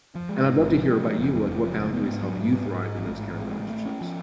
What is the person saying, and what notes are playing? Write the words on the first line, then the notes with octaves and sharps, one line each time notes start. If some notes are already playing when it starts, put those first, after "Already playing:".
And I'd love to hear about you, like, what boundaries help you thrive in those kind of relationships?
F3
G#3
G#2
G#1
F3
G#3
F3
F#1
F2
F#1
F3
F#1
B3
G#2
F#3
G#2
B3
G#2
G#3
A1
G#2
A1
G#3
A1
A3
C#4
F3